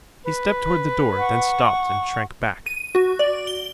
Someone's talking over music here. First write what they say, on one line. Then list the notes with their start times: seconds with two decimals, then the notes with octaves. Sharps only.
He stepped toward the door; then stopped and shrank back.
0.24 B4
1.18 F#5 C#6
2.66 D#7
2.95 F#4
3.19 D5
3.47 G7